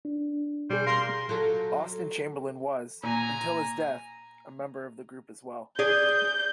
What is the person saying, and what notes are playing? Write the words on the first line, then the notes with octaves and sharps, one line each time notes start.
Austen Chamberlain was, until his death, a member of the group as well.
D4
B2 G3 G#4 C5
A#4 F5 C6
F#3 F4 A4
A#2 G#5 A#5
G#4 D5 G6